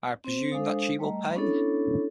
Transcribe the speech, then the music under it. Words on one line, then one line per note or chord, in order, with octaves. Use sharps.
I presume that she will pay.
C4 C5
G#3 D4 A4 C5 F5 D#6
G3 A3 D#5 A#5
B3 C#4 D4 E4 A4 C#5